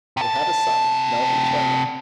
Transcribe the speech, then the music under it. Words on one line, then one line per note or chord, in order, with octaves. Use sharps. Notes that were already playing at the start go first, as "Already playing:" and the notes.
They had a son, Melvin Chernev.
C3 A5